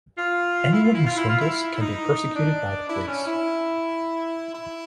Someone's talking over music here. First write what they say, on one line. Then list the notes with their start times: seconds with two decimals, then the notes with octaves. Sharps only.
Any one who swindles can be persecuted by the police.
0.17 F4
0.72 E4
0.83 F4
0.94 E4
1.05 F4
1.17 E4
1.27 F4
1.39 E4
1.74 E4
1.81 D#4
2.35 D4
2.90 E4
3.07 C#4
3.26 E4
4.53 E4